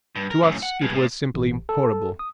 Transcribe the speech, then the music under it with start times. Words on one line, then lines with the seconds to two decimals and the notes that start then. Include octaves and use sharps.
To us it was simply horrible.
0.16 G2
0.30 A#4
0.43 F#2 A2
0.63 F#5
0.81 G2 G#3
0.94 A2
1.34 A1
1.69 A4
2.19 D#6